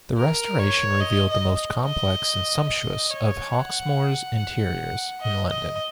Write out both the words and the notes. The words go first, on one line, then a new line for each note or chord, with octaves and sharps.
The restoration revealed the most complex and sumptuous of Hawksmoor's interiors in London.
A#4
C#5
D#5
D#5
D#5
D#5
C#5
F#5
F#5
D#5
D#5